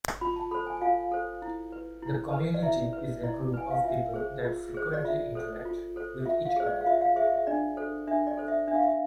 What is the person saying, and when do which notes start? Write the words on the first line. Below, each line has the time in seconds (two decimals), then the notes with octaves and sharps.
The community is a group of people that frequently interact with each other.
0.21 F4 B5
0.36 A5
0.51 A4 C5 B5
0.66 G#5
0.77 G#5
0.81 F4 F5
1.12 A4 C5
1.42 E4
1.72 B4
2.03 E4
2.32 B4
2.54 D5
2.63 E4 E5
2.93 B4
3.24 E4 D5
3.54 B4 G#5
3.71 F5
3.84 F4 E5
4.14 G#4 C5
4.45 F4
4.74 G#4 C5
4.94 D5
5.04 F4 E5
5.35 A4 C5
5.66 F4
5.96 A4 C5
6.26 F4 E5
6.46 F5
6.56 G#4 C5
6.67 D5
6.81 F5
6.86 F4 E5
7.01 F5
7.16 G#4 C5 E5
7.32 E5
7.47 D4 D5
7.77 A4 C5
8.07 D4 E5
8.27 D5
8.37 A4 C5
8.48 E5
8.67 D4 E5
8.75 F5
8.83 E5